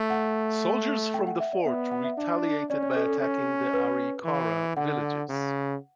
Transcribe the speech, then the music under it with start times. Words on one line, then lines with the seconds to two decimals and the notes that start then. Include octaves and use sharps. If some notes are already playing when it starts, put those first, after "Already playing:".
Soldiers from the fort retaliated by attacking the Arikara villages.
Already playing: A3
0.10 F#5
1.14 G5
1.27 F#5
1.40 E5
1.53 D5
1.66 B3 E5
1.91 F#5
2.04 E5
2.18 D4
2.70 C#4 D5
2.83 C#5
2.96 A4
3.08 A4
3.21 C#4
3.73 B4
4.25 E3
4.76 D3 F#5
5.29 C#3